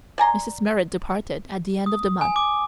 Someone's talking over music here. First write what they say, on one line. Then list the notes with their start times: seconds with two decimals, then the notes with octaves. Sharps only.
Mrs. Merrit departed at the end of the month.
0.18 D5 G#5 A#5 C6
1.86 D#6
2.21 G#5
2.36 D6